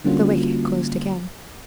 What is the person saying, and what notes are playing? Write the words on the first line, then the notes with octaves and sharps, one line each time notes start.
The wicket closed again.
D3 G3 A#3 C#4 F4 F#4